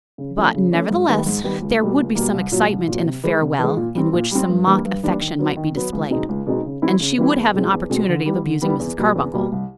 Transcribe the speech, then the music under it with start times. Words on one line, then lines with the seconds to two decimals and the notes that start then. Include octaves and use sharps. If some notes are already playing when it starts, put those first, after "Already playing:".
But, nevertheless, there would be some excitement in a farewell in which some mock affection might be displayed, and she would have an opportunity of abusing Mrs. Carbuncle.
0.18 C#3
0.37 F3 A3 C#4
0.54 C#3
0.72 F3 A3 C#4
0.90 G#2
1.08 D#3 G3 B3
1.26 G#2
1.44 D#3 G3 B3
1.62 C#2
1.80 B2 G3 A#3
1.98 C#2
2.15 B2 G3 A#3
2.34 C2
2.52 A#2 F#3
2.69 C2
2.87 A#2 F#3
3.06 C3
3.24 E3 G#3
3.42 C3
3.59 E3 G#3
3.77 A#2
3.95 G3 C4
4.13 A#2
4.31 G3 C4
4.49 G2
4.67 E3 G3 A#3 D4
4.85 G2
5.03 E3 G3 A#3 D4
5.21 D#3
5.39 F#3 B3
5.57 D#3
5.75 F#3 B3
5.93 C#2
6.11 B2 G#3 C4 D#4
6.29 C#2
6.47 B2 G#3 C4 D#4
6.65 C#3
6.82 E3 G3 C4 E4
7.00 C#3
7.18 E3 G3 C4 E4
7.36 E2
7.54 B2 G#3 C4
7.73 E2
7.90 B2 G#3 C4
8.08 D3
8.26 G3 B3 E4
8.44 D3
8.62 G3 B3 E4
8.80 E2
8.98 B2 G3 A#3
9.15 E2
9.34 B2 G3 A#3
9.52 C2